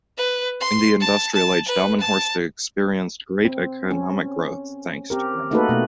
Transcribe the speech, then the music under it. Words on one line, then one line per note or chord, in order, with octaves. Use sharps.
In the industrial age Delmenhorst experienced great economic growth, thanks to Bremen.
B4
C6
A5
A5
B4
A5
C4
C#4
C4 G4 A#4
A3 A#3 D#4 F#4 A4 B4
B2 A3